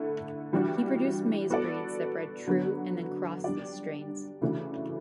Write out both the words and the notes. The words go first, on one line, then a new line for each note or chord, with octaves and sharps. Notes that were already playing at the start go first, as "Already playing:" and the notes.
He produced maize breeds that bred true and then crossed these strains.
Already playing: D3 A3 E4 A4
E3 G3 D4 F#4
B3 F#4 A4 D5
D3 F#3 B3 D4 F#4
G3 D4 G4 D5
C#3 E3 A3 D4 F#4